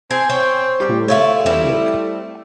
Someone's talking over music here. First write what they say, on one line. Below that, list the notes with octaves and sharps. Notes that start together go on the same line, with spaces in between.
Poor public!
C4 G#4
C5 C#5 G5
G3
A3 E4 F4 C#5
G3 C4 E4